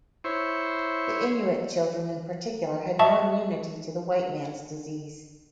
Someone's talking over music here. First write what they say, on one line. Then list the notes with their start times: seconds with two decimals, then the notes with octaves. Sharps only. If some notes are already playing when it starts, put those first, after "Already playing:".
The Inuit children in particular had no immunity to the "white man's disease".
0.24 E4 C5 C#5
2.99 D#5 E5 A5 C#6